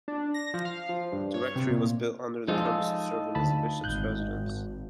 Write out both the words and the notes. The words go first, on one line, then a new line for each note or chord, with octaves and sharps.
The rectory was built under the premise of serving as a bishop's residence.
D4
A#6
F3
F5
F3
G2
C#5
C3
A#2
F3 G#3 D#4 F4 A4
D2 A5 B5
G#1 F#6 G6